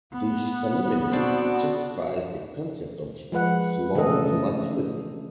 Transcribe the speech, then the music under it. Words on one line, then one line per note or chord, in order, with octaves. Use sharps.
This phenomenon justifies the concept of "floor volatility".
B3
C4 D4 F#4
F3 G#3 B4 F#5
C#3 E3 A3 D4 A4 D#5